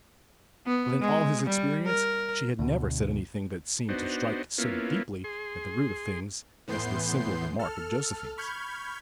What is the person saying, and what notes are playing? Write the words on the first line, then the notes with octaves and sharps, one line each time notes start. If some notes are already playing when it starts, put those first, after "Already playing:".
But in all his experience she had never said anything that seemed to strike so deeply at the root of things as this simple remark of Josephine's.
B3
G#3
G3
A#4
D2 B2
B3 D4 D#4 F#4 C5
A#3 B3 C#4 E4 F4
G#4 C6
A2 E3 B3 C6 G6 C7
A4 F6
B5 C#6 F6 G6 G#6